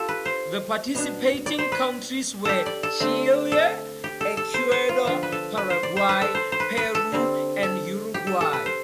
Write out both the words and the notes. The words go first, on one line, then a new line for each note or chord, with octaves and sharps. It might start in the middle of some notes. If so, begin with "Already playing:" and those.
The participating countries were Chile, Ecuador, Paraguay, Peru, and Uruguay.
Already playing: F4 G4 A4
B4
C5
B2 B3 D4
D5
C5
B4
G4 A4
D5
A4
D3 A3 C4
A4
G4
A4
A4
C5
C5
F4
D3 F3 B3 F4
B4
A4
B4
C5
D5
C5
B4
A4
C5
C5
B4
B4
A4
D3 G3 C4
A4
G4
A4
A4
B4
C5